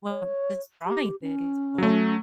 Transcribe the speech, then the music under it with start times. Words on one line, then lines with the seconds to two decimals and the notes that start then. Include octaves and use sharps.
Well, just drawing things o
0.10 C#5
0.86 G4
1.22 C#4
1.78 F#3 A3